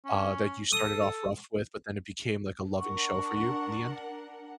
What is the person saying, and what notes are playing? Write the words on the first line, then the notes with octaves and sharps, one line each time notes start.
uh, that you started off rough with, but then it became, like, a loving show for you in the end?
C#4
A4 D#6
D4 A#4 F#5 C#6